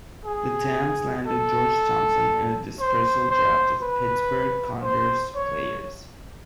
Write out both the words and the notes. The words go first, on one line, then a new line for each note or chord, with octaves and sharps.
The Tams landed George Thompson in a dispersal draft of Pittsburgh Condors players.
G#4
A4
C5
C5
B4
C5
C#5